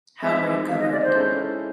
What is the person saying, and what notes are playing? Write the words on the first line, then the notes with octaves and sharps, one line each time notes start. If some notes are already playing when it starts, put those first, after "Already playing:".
How are you governed?
G#3 C4 D#4 E5
G#3 C4 D#4 F5
D#5
D5
C5
G#3 C#4 E4 A4